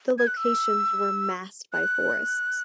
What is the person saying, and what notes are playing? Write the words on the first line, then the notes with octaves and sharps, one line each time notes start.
The locations were masked by forests.
G#6
F#6
E6
F#6